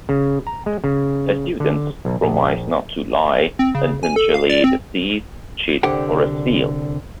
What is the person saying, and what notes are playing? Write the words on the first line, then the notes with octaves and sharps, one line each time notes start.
Students promise not to lie, intentionally deceive, cheat, or steal.
C#3
A#5
G#3
C#3
D3
B1
A#1
C4
C#3
G#5
A4
F5
D5
C4
C2 D3 G4 F#5 G5